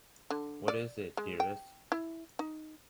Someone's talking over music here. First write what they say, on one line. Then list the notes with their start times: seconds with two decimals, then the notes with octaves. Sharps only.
What is it, dearest?
0.30 D3
0.68 D5
1.17 G#3
1.40 G5
1.92 E4
2.39 D#4